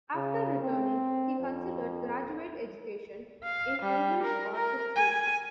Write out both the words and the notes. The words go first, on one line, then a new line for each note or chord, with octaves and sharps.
After returning, he considered graduate education in English or History.
C#3
C4
F2
F5
G3
A#4
A#4
G#5